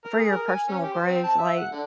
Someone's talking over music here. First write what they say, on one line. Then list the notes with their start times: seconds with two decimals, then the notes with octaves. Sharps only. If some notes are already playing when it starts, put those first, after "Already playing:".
for your personal growth, like
0.05 A#4
0.18 G#4
0.32 A#4
0.48 G#5
0.68 C#4
0.83 G4
0.94 C5
1.07 C4
1.24 A5
1.38 E5
1.57 F#5
1.72 D3